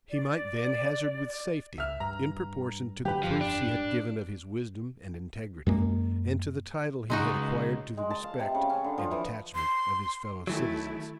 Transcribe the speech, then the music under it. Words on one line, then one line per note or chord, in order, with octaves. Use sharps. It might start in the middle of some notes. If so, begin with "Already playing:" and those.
He might, then, hazard with safety, in proportion to the proofs he had given of his wisdom and integrity, and to the title he had acquired to the respect and attachment of his fellow-citizens.
D5
C#2 E5 F6
G2 A#5
D3 F#3 A3 G4 B4
F1 G2 F3
D4
F#2 G#3 A#3
C#2 G#3 D#4 F#4
G#3
A5
F5
C3
C#3
C#4
D3
F3
E3
C6
D#3 E3 F#3 A3 E4